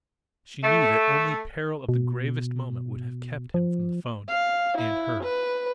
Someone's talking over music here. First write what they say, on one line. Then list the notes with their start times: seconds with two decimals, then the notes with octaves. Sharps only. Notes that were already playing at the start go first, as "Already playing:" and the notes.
She knew that only peril of the gravest moment would have kept him from the 'phone--and her.
0.62 A3
1.89 B2
3.54 F3
4.28 F5
4.78 E4
5.23 B4